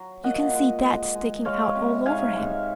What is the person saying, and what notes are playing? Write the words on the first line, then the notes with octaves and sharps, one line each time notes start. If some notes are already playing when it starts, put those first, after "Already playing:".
You can see THAT sticking out all over him.
Already playing: F#3
A#2 D#5 F#5
G#3
G#3
G#3
G#3 C#5 F5
C3
G#2 F5 G#5
G#2